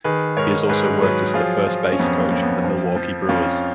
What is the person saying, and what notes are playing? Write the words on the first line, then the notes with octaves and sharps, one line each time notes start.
He has also worked as the first base coach for the Milwaukee Brewers.
D#3 G#4 B4
G#2 A#4 C#5
G#2 G#4 B4
F#3 G#4 B4
F3 F4 G#4
F3
C#4
F2 B3
A#3
F2
B3
F3
F3
F2 C#4 F4